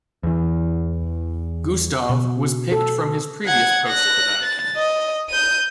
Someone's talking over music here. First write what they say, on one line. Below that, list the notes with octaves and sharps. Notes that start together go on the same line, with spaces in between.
Gustav was picked from his previous post at the Vatican.
E2 E3
B2
A4
F#5 G#6
F#6 A#6
A6
D#5
G6 D#7